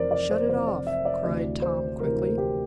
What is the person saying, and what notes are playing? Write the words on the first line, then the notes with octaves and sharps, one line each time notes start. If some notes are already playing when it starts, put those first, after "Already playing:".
"Shut it off!" cried Tom quickly.
Already playing: F1 F2 E3 A#4 C5 D5
D5
C5
F1 F2 E3 C5
D5
E5
D5
D2 C3 E3 D5
C5
D2 C3 E3 A#4
A#4
G4